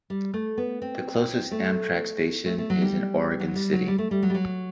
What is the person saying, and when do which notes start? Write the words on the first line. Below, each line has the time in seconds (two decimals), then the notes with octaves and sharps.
The closest Amtrak station is in Oregon City.
0.10 G3
0.34 A3
0.58 B3
0.82 C4
1.51 A3
2.46 A3
2.58 A3
2.70 F#3
2.82 G3
3.40 F#3
3.55 G3
3.72 F#3
3.87 G3
3.98 A3
4.11 G3
4.23 F#3
4.30 G3
4.34 F#3